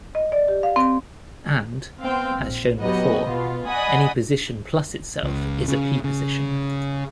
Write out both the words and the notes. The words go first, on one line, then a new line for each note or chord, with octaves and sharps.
And, as shown before, any position plus itself is a P-position.
D#5
D5
G4
F5
C4
B3 C4 F5 G5
A#1
F#3 B3 F#4 G4 D#5
B2 B3 F4
D5 D#5 F#5 G#5 B5 D#6
C#2
C#3
C#3